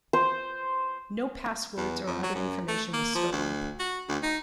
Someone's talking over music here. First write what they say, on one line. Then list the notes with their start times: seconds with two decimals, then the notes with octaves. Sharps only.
No passwords or other information was stolen.
0.13 C5
1.77 E2
2.06 F2
2.23 F#3
2.35 F#2
2.68 A3
2.93 A#3
3.15 F3
3.32 D2
3.79 F#4
4.09 D2
4.23 D#4